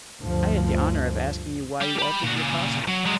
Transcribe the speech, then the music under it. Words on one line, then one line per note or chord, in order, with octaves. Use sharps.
I had the honor of asking you why you altered your costume.
D2 G2 F3
G3 G4
G4 B5
A#2 F#4
A#2 C#3
F#3
F#3 G#3